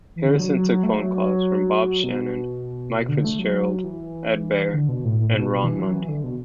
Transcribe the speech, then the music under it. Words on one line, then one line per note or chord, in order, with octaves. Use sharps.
Harrison took phone calls from Bob Shannon, Mike Fitzgerald, Ed Baer, and Ron Lundy.
E3
D3
F#3
F#3
F#3
A3
F#3
F#3
B2
B2
D3
A3
F#3
E3
D3
B2
A2
A2
A2
B2
B2
E3
F#3
E3
D3
B2